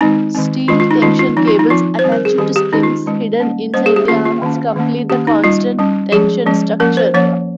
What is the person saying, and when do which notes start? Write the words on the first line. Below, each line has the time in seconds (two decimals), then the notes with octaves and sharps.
Steel tension cables attached to springs hidden inside the arms complete the constant-tension structure.
0.01 D#3 G#3 C4 D#4
0.35 D#3 G#3 C4
0.68 D#3 G#3 C#4 F4
0.80 F4
0.91 D#4
1.02 D#3 G#3 C#4 F4
1.19 F4
1.37 F3 C4 D#4
1.48 F4
1.59 D#4
1.70 F3 C4 F4
1.99 C5
2.04 D#3 G3 C4
2.12 A#4
2.25 G#4
2.38 D#3 G3 C4 G4
2.56 G4
2.72 D#3 G#3 C#4 D#4
2.83 F4
3.06 D#3 G#3 C#4
3.40 G3 A#3 C#4
3.74 G3 A#3 C#4 C5
3.86 G#4
3.96 G4
4.08 D#3 A#3 C#4 F4
4.25 F4
4.42 D#3 A#3 C#4
4.76 D#3 A#3 C#4
5.10 D#3 A#3 C#4 G4
5.27 D#4
5.44 G3 C#4 F4
5.79 G3 C#4
6.12 F3 G#3 C#4 G#4
6.46 F3 G#3 C#4
6.80 F3 A#3 C#4 A#4
6.97 C5
7.14 F3 A#3 C#4 C#5